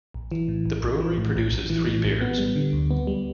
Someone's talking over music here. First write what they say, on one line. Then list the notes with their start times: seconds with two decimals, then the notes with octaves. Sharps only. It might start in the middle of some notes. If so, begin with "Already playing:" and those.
The brewery produces three beers.
0.14 A#1
0.32 E3
0.48 A2
0.66 A#1
0.83 A#1
1.00 E3
1.18 A2
1.36 A#1
1.52 A#1
1.70 E3
1.87 A2
2.04 A#1
2.21 B3
2.39 G3
2.56 D3
2.73 D2
2.91 B3
3.07 G3